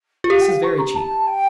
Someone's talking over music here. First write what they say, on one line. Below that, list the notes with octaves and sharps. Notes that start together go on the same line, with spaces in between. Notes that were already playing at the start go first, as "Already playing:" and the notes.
This is very cheap.
F4
G4 F5
G5
F5
C#6
A#5
A5
G5